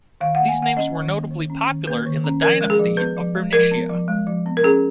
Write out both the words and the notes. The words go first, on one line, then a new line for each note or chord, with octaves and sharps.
These names were notably popular in the dynasty of Bernicia.
D#3 F5
A#3 F#5
G#5
D#3 F#5
C#4 D#5
D#3
A#3
D#3
C#4
D#3
A#3 B4
D#3
C#4
F3 A#4
G#3
G#4
F3
B3 B4
F3
G#3
F3 A#4
B3
F3
G#3
F3
B3
A#4
C#4 G#4